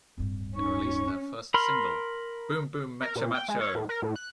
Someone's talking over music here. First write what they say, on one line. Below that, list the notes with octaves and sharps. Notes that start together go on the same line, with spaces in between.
They released their first single, Boom Boom Meccha Maccho!
D1 G2
C#4 D#4 C#6
A#4 B5 C6 F6
A#4
A#2
G5
G#3
C#5
A2
A#4
A2
F#6